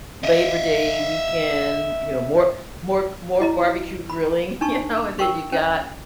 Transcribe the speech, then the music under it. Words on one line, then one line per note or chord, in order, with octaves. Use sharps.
Labor Day weekend, you know, more more more barbecue grilling, you know, and then you got,
D#5 E5
E4 D#5 A#5
B5
D4 D#4 A5 C#6
A#4 G5 C#6
C#4